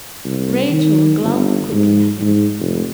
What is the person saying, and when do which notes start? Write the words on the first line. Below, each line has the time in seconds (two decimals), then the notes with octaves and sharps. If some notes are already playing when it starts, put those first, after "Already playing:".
Rachel glanced quickly at him.
0.25 C2
0.71 D#3
1.21 G1
1.73 G#2
2.21 G#2
2.60 F1